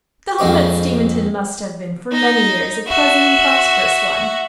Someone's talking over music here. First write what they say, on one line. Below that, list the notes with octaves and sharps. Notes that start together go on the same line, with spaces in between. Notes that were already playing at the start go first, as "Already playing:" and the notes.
The home at Steventon must have been, for many years, a pleasant and prosperous one.
A#1 F2 G#3 C4 C#6
D#4
F#4 E5